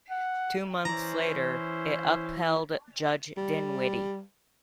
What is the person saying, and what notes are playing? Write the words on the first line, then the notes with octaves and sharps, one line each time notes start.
Two months later, it upheld Judge Dinwiddie.
F#5
E3 C#4 E4 C5 D5 A#5
G3